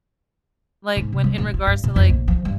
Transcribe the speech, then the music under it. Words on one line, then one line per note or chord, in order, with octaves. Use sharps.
like, when in regards to, like,
G#2
C3
G3
D#1
F4
G2
A#2
F2
A#1
F3
G2